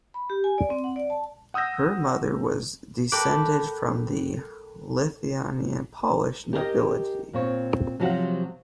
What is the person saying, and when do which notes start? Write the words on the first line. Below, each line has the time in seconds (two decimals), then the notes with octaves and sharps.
Her mother was descended from the Lithuanian-Polish nobility.
0.14 B5
0.30 G4
0.44 G#5
0.58 D5
0.70 C4
0.84 F#5
0.96 D5
1.10 A5
1.54 F#5 D#6 E6 G6 A#6
3.12 A4 A#4 G5 B5 D6 F#6
6.53 G4 G#4 A#4 C5 D#5 G5
7.33 A#2 C4 C#5
8.00 C3 F3 F#3 F#4 F5 F#5